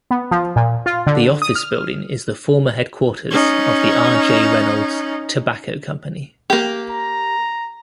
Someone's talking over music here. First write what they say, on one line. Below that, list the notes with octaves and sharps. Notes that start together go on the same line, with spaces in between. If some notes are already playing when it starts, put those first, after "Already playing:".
The office building is the former headquarters of the R. J. Reynolds Tobacco Company.
B3
F3
A#2
F4
D3
D#6
F6
C#4 D#4
A#3 G4
A#5